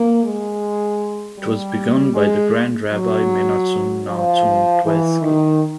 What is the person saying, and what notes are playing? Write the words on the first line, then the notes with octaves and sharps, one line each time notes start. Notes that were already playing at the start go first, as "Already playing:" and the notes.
It was begun by the Grand Rabbi Menachum Nachum Twerski.
Already playing: A#3
G#3
G3
G#3
F#3
F3
E3
D#3